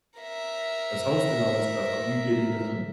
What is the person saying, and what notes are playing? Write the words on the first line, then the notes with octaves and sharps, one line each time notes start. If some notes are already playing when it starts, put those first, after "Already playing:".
that's hosting all this stuff, like, you get even, like,
A#4 E5